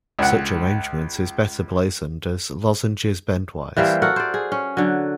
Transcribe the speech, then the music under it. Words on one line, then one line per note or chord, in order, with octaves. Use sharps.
Such arrangement is better blazoned as "lozenges bendwise".
C#2 F#5
E3 G3 A#3 C5
F#4 A4 A#4 F#5
C5 D5
G#4
C#4
D3 F#3